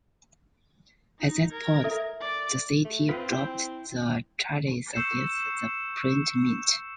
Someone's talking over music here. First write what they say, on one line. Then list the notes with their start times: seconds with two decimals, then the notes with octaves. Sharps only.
At that point the city dropped the charges against the Print Mint.
1.19 D#4
1.51 A#4 G#6
1.84 A4 E5
2.21 D5
2.84 A3
3.09 C4 F4 B4
3.31 E4 G5
4.93 C#6 E6 G6 C7 C#7 E7